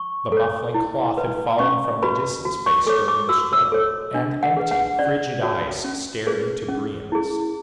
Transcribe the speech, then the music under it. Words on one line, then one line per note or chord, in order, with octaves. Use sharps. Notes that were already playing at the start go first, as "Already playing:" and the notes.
The muffling cloth had fallen from the Disan's face during the struggle, and empty, frigid eyes stared into Brion's.
Already playing: C#6
A4 C#5
E4
B4
C#4 C#6
F#4 B4 B5
F#4
C#6
A4 C#5 D6
D6
F#4 E6
E6
A4 C#5
D4
F#5
G#4 B4
F#5
C#4 D5
F#4 C#5
C#4
G#4 B4
C#4
E4 G#4